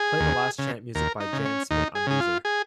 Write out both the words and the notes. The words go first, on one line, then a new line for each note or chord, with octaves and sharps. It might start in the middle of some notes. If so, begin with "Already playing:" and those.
Play the last chant music by Jan Smit on Deezer.
Already playing: G#4
D#2
C#3
D#2 A#4
D#4
C#3
C#4
D#2 D#4
G#4
C#3 G#4
F4
G#4